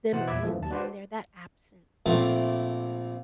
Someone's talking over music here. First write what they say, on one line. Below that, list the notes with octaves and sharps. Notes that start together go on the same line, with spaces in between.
them always being there, that absence
B2 E3 C5 F#5 F#6 A6
E2 A#2 E5 B5 D6 G#6
F#2 E3 F3 A3
D#2 A5
D4 F#4 B4 C5 D5
A#1 A#2 A3 C4 E5 A5